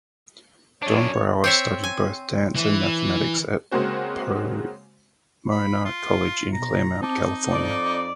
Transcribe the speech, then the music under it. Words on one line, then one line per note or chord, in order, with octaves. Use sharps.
Dombrower studied both dance and mathematics at Pomona College in Claremont, California.
F#2 D4 C#5
C4 C#5 E5
G#5
E3
C#3 G#3 A#3 C4 F#4 C5
B5
F4
B2 A#5
C4 D#4 A5 D6
F2 D5